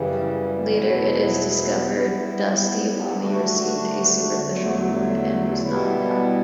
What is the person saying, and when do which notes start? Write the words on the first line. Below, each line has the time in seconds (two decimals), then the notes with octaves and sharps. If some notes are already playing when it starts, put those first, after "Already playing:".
Later it is discovered Dusty only received a superficial wound and was knocked out.
Already playing: F#2 C#3 E3 G3
0.72 E2 B2 F#3 B3 E4
1.95 E3 G3 B3 E4
3.17 D3 A3 D4 F#4
4.40 E2 D3 F#3 A3
5.62 B2 G3 B3 E4